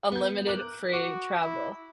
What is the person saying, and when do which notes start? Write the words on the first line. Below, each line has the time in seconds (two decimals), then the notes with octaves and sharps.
unlimited free travel.
0.12 B3 G6
0.47 A#4 D6 F#6
0.93 F#4 D6
1.38 E4